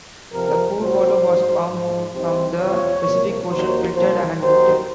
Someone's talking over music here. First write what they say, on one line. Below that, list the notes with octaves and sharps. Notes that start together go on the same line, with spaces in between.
The pool water was pumped from the Pacific Ocean, filtered and heated.
F2 C3 F3 A#4
C2 A#2 F#3 C5
G#2 F#3
G#2 F3
C2 C3 D#3 C5
F2 C3 F3 C#5
C2 A#2 F3
D#2 D#3 F#3 C5
C2 A#2 F3 C5
D#2 D#3 F#3 C5